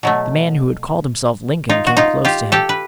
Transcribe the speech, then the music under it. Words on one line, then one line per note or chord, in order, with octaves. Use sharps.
The man who had called himself Lincoln came close to him.
B2 F#3 A3
D#4 F4
F#4
D#4 F4
F4 G4
G4 A4
B4